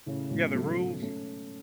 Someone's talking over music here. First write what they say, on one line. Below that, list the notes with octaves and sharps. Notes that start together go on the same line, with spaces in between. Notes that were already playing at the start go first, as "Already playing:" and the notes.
Yeah, the rules.
A2 C#3
G#2 B2
F#3 A3
A3 C#4